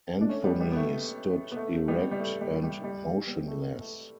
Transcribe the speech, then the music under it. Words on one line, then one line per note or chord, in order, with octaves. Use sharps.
Anthony stood erect and motionless.
D4
A3 C#4
G3 B3
G3 B3
B3
A3
B3
A3
G3 B3
G3
A3
G3
G3
G3
G3 B3
A3
A3